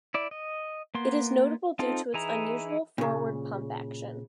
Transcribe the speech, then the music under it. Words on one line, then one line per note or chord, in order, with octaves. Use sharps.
It is notable due to its unusual forward pump action.
E4 D5
D#5
A#3 B3 C6
C4 D#4 F4 A4 C5
E3 D#4 E4 G#4 A#5
A#2 C#3